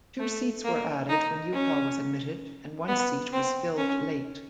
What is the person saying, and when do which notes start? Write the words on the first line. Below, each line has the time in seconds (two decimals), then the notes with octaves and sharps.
Two seats were added when Utah was admitted and one seat was filled late.
0.20 A3
0.65 A#3
1.09 D#4
1.53 C#4
2.88 B3
3.33 C4
3.77 C#4